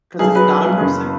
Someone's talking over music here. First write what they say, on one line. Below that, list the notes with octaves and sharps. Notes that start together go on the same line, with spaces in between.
'Cause it's not a person?
B1 G#4
F#3 B4
F#3
B1
F#1